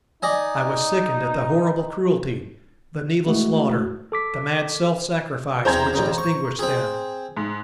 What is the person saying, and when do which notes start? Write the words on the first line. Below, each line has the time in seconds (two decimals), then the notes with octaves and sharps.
I was sickened at the horrible cruelty, the needless slaughter, the mad self-sacrifice which distinguished them.
0.22 D#4 D5 D#5 G#5
3.26 G#3 A3 E4 F#4
4.12 A4 D6 B6
5.65 E2 C4 C5 A#5 G#6
5.93 A1 C#3
6.18 C#6
6.59 C4 G#4
7.37 G#2